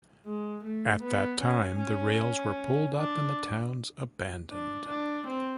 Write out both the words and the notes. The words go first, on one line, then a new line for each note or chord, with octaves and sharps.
At that time, the rails were pulled up and the towns abandoned.
G#3
A3
B3
C#4
C#4
D4
D4
D4
C4